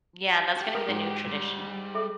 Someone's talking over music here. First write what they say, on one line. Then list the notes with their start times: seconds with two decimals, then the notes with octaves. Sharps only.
Yeah, that's gonna be the new tradition.
0.57 F#4 G4
0.75 A#4 B4 D#6
0.89 G#2
1.27 G3
1.95 G#4 A4 E5